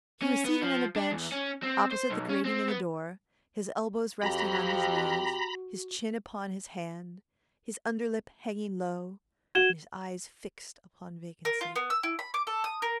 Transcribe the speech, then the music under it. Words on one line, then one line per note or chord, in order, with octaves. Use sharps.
He was seated on a bench opposite the grating in the door, his elbows resting on his knees, his chin upon his hand, his under lip hanging low and his eyes fixed upon vacancy.
C#4
B3
F3
D4
E2
C#4
C4
C5
B1
C#4
C4
B3
F2 F#4 G4 A#5 B5
F#4 G#6 E7 G7
A#4
F4
B3
E6
E4
B5
D6
A4
D#6
A#4